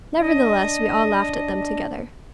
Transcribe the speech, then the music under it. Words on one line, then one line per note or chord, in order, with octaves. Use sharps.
Nevertheless we all laughed at them together.
D4 D#5